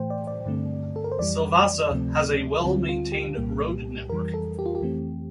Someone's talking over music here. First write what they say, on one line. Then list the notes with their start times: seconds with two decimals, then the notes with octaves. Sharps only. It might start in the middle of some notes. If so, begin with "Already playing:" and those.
Silvassa has a well-maintained road network.
Already playing: A2 E3 A3 C5 G5
0.10 D5
0.27 D5
0.46 G2 D3 A3 C4
0.96 A4
1.04 A#4
1.12 C5
1.19 F2 E3 G3 D5
1.91 D2 C3 F3 A3 C4
2.64 D2 D3 G3 C4 F4
2.89 F4
3.12 G4
3.37 C2 A#2 G3 A#3
4.10 F2 E3 G3 A#4
4.34 A4
4.59 G4
4.66 F4
4.75 G4
4.82 F2 E3 A3 C4